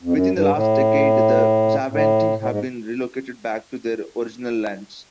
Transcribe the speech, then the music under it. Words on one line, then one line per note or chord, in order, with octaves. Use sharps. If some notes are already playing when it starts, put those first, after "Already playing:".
Within the last decade, the Xavante have been relocated back to their original lands.
F2
F#2
G2
A2
A2
A2
G#2